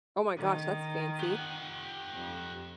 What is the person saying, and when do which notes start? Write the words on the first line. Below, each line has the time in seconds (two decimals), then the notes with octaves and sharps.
Oh my gosh, that's fancy.
0.37 D#3
1.19 G4 F#5
2.13 F2